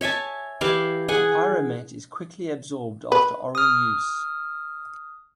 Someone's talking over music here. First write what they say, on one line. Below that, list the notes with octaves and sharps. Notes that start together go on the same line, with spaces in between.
Topiramate is quickly absorbed after oral use.
C#5 E5 G#5 A5
E3 E4 G4 F5
G#4 F#5 G#5
B4
D#6 F6